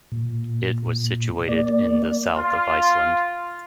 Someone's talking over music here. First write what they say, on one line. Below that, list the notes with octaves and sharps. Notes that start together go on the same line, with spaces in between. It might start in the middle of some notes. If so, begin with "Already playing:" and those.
It was situated in the south of Iceland.
A#2
A#3 D5
F4